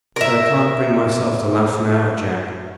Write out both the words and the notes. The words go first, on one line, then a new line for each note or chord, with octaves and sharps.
But I can't bring myself to laugh now, Jack.
A#4 E5